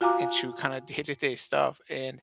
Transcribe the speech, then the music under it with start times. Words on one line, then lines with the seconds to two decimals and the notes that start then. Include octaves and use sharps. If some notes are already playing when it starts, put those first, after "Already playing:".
into kind of day-to day stuff, and
0.01 F4 F#4 F5 G#5 A#5 D6